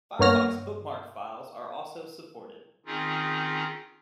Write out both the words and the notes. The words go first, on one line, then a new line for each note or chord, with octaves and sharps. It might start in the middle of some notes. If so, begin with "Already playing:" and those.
Firefox bookmark files are also supported.
G2 A#3 B3 C#5 F6 A#6
D#3 C4 C#4 D#4 F4 G#4